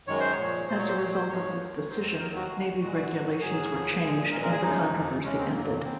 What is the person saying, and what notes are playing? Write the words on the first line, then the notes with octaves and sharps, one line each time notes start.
As a result of this decision, Navy Regulations were changed, and the controversy ended.
F#2 D#3 G#3 C#5
C5
C#5
A#2 F3 G#3
A#2 F#3 C5
C#5
C5
A#2 F#3 C#5
C5
G#2 F3 G#3 C#5
D#2 D#3 G#3
F2 D#3 F#3 C5
D#2 D#3 F#3 A#4
F#4
D#2 C#3 G#3
A#2 G#3 F#4
G#2 F#3
G#2 F#3 G#4
D#2 C#3 F3
A#2 F3 G#3
A#2 G#3 A#4
A#4
G#4
F#2 C#3 F3 G#3 D#4
F2 C3 F3 G#3
D#2 C#3 G#3 C#4
C4
F2 C#3 F#3 A#3
A#3
C#3 C4